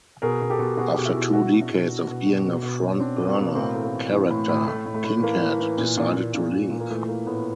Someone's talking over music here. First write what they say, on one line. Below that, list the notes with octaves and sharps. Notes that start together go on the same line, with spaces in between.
After two decades of being a front-burner character, Kinkead decided to leave.
B2 G#4 A#4
B2
G4 A4
B2
B2 F#4 G#4
B2 G4
E4 F#4
B2
B2 E4 F#4
B2
D4 E4
B2
B2
B2
B2
B2
B2
B2
C#4
B2 C4 D4
B2 B3
A#3 C4
B2
A2 A#3 C4
E3 A3
A#3
E3
E3
A2
A2
A2 A3
A2
A3
A2
E3 A#3
E3
E3
A#2
A#2
A#2
A#2
A#2
A#2
A#3
E3 A3
E3 A#3
A2 A3 B3